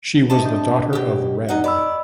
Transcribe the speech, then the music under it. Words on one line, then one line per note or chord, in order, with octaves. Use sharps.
She was the daughter of Rev.
C3 D#5 A5
D4
B2 G4
E2 D#4 F#5
D5 D#5 B5 E6